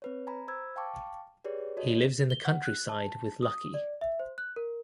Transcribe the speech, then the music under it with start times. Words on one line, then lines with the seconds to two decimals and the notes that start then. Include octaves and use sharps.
He lives in the countryside with Lucky.
0.02 C4 B4 C#5
0.27 G#5 A#5 B5
0.48 C5 B5 E6 G#6
0.76 F5 G5 A5 C#6 D6
1.44 G4 G#4 B4 C#5 D5
1.77 F#4 A4 C#5 D#5
2.30 G7
2.45 F#5
2.65 F#6
2.89 A5
3.43 D#6
3.74 D5
4.01 E5
4.20 C5
4.38 F#6
4.56 A#4